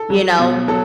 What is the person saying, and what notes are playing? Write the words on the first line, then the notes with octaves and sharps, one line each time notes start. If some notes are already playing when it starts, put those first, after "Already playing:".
you know?
Already playing: A4
F#3
B2
F#3 A4